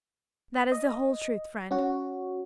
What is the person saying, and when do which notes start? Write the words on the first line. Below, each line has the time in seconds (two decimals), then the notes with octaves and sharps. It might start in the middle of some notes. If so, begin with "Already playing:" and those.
That is the whole truth, friend.
0.72 D#5
1.71 C#4 F#4